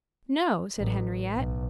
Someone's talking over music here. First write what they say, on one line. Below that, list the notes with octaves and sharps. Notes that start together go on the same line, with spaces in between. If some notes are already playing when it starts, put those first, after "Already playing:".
"No," said Henriette.
A1
B1